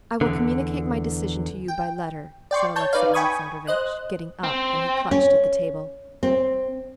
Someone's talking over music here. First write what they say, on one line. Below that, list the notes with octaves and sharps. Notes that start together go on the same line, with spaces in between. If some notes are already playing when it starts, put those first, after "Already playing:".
"I will communicate my decision to you by letter," said Alexey Alexandrovitch, getting up, and he clutched at the table.
E2 D3
G5
D5 G5 C6 C#6
C#5 A5 G6
D#4 B4 D5 F5
G5 G#5 B5 C#6 D#6 G#6
C5 D#5 F#6
C4
C#4
C4